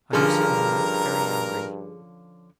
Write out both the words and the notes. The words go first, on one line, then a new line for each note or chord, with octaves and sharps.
I have seen him look very angry.
G2 D3 F3 C#4 G#4 A#4 A#5